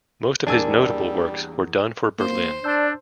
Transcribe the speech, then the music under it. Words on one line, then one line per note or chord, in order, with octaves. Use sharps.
Most of his notable works were done for Berlin.
E2 G3 A#3 D4 G#5 E6
A#3 C5
D4 D5 A5 E6 G6